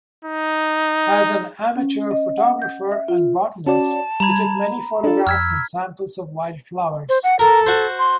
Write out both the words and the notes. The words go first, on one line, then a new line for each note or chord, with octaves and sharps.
As an amateur photographer and botanist he took many photographs and samples of wildflowers.
D#4
C#4
D#5
F#5
G6
E5
F4
C#4 F#4 D5 A5
G3 A#5 B5 G#6
D4 F4 A4
F2 E6 F6 G#6 B6
C5
F#5
A4 A#4 A#5
F#4 C5
C6